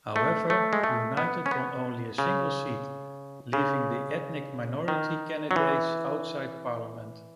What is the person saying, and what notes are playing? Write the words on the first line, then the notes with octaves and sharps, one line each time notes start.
However, United won only a single seat, leaving the Ethnic Minority candidates outside Parliament.
A3
A3
G#3
A3
B3
C#4
B3
C#3
C#3
D#3
F#3
E3